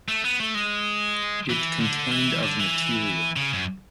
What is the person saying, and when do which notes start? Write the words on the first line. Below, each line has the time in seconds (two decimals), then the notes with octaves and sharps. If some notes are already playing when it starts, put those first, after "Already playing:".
It contained of material.
0.09 A3
0.24 B3
0.40 A3
0.55 G#3
1.50 E3
1.81 D3
2.11 E3
2.43 D3
2.59 E3
3.36 C#3
3.53 F#2